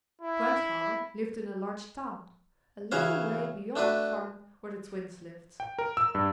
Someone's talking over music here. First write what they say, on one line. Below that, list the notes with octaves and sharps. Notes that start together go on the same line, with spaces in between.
Grandfather lived in a large town, a little way beyond the farm where the Twins lived.
E4
C#3 E3 F#4 C#5 F5 A#5
A3 D4 F#4 B4
G5
A#4
E6
G2